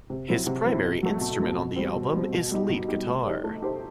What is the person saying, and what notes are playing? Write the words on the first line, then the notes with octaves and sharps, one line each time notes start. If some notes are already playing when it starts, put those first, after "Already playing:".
His primary instrument on the album is lead guitar.
C3
F#3 C4 E4
C3
F#3 C4 E4
B2
F#3 A3
B2
F#3 A3
B2
G3 C4
B2
G3 C4
B2
G3 D#4 G4
B2
G3 D#4 G4
A3
D#4 G4 C5
A3
D#4 G4 C5